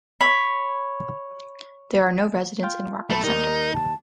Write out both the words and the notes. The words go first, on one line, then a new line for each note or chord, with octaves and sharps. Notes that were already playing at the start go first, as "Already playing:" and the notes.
There are no residents in Rocket Center.
C#5 B5
F4 G5
B1 A3 A4 B5
D#2 G3 D#4 A#4
A5